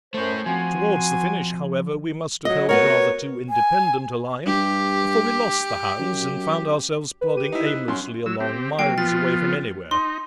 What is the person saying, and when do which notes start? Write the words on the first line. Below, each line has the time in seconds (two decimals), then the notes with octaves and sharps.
Towards the finish, however, we must have held rather too independent a line, for we lost the hounds, and found ourselves plodding aimlessly along miles away from anywhere.
0.14 F#2 A3 C5 C#5
0.46 F3 C4 F#4 G#5
2.45 F#3 D#5
2.69 B3 F#4 A#4 C#5
3.49 G#5
4.47 G2 G4
5.99 F#2
7.21 B4
7.37 G4 D#7
7.52 D#4 E4
7.66 F#6
7.88 F#2 C6
8.26 F#3 E6
8.40 C4 G4
8.79 F#3 A#3 G5 C7
8.98 F3 B3 F4 A6
9.91 D#4 C6